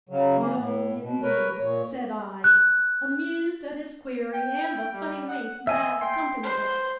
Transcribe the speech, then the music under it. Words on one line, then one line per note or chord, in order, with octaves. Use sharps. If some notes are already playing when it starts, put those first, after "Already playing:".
"No, indeed," said I, amused at his query and the funny wink that accompanied it.
C#3 F#3
E3 A#3
A2
B2
A#4 B4 C#5
A#2 C#5
F#6
G5
G3
F#5
D#5 E5 G#5
G5 C6
B4 C5